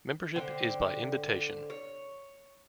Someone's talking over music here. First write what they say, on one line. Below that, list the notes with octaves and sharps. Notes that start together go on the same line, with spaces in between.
Membership is by invitation.
D3 C5 G5
C#5